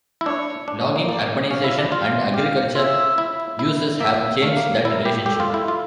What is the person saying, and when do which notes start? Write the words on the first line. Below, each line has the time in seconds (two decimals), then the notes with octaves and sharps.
Logging, urbanization, and agriculture uses have changed that relationship.
0.21 E4
0.25 D4 C#5
0.68 D4
0.81 C#4
0.96 A#3
1.09 A#3 D5
1.50 C#4 F5
1.64 E4
1.78 D4
1.92 F4 F5
2.34 G4 F5
2.75 F4 E5
3.18 E4
3.59 E4
4.00 A#3 E5
4.42 A3 F5
4.57 A#3
4.84 E4 A#4
5.06 G4
5.26 G4 A4
5.40 F4
5.54 E4
5.68 F4